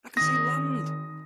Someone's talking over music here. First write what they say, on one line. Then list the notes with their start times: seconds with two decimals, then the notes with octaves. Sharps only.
I can see land!
0.17 D#3 C4 D#6 A#6